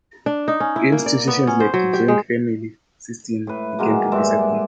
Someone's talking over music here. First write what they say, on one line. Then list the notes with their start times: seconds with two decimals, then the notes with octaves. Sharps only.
Institutions like the joint family system began to disappear.
0.26 D4
0.48 D#4
0.60 C#4
0.76 E4
0.92 A#3
1.06 D5
1.28 B3
1.47 C#4
1.60 C5
1.74 F#3
1.93 G4
2.08 G#3
3.47 A2 B4
3.79 D#3 F#3 G#3 A#3
4.12 G2 G#3 D5 E5